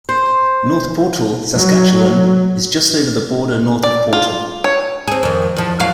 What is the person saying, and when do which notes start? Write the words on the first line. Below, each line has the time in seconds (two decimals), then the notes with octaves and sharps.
North Portal, Saskatchewan is just over the border north of Portal.
0.09 C5
1.54 F#3
3.83 D5
4.13 F4
4.64 C#5
5.08 C4 G#4
5.23 F2 D#3
5.56 E2 F3
5.80 E2 F#3 F5